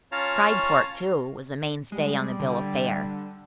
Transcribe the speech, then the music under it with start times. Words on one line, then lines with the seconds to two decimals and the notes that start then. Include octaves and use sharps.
Fried pork, too, was a "main-stay" on the bill-of-fare.
0.12 C#4 F4 C#5 F5 A5 A#5
1.92 G3 G#3
2.39 D3